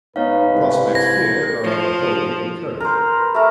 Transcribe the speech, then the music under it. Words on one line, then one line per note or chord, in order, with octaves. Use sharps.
The prospects here are on the whole encouraging.
G#2 B3 D#4 B4 C#5 F5
C2
G#6 A#6
F3
A#4 C5
B4
A3 A#4